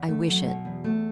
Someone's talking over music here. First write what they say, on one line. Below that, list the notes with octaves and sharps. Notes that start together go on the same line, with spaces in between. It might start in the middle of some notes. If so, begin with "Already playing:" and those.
"I wish it."
Already playing: E2
A3
F#3
B2
E2
A3